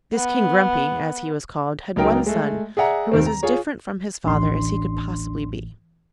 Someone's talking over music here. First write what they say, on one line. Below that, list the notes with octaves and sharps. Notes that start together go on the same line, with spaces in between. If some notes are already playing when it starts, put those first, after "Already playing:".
This King Grumpy, as he was called, had one son, who was as different from his father as he could possibly be.
B3
C#2 F#3 D#4 A#4 G5
G#3 A3
G#4 D5 E5 F#5 A#5
D#2 D#3 C4
A#5
F4 G#4 C#5
A1 D2 D4 C6